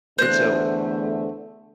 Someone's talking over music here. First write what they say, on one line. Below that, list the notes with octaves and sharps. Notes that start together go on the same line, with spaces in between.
and so,
E2 D3 A3 C5 F#6